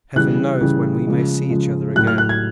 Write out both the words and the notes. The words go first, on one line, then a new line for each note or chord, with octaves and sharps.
Heaven knows when we may see each other again.
C#3 E3 G3 F#6
C#3 E3 G3
C#3 F3 G#3
C#3 F3 G#3
A2 F#3 F#6
F6
F#6
G#6